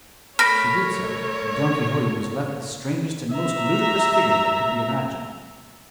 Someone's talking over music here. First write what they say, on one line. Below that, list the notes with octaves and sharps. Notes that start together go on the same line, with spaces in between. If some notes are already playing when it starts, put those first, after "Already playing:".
She did so, and Don Quixote was left the strangest and most ludicrous figure that could be imagined.
A3 A#4 C#5 B5 F6 A#6 D7
E5 A#5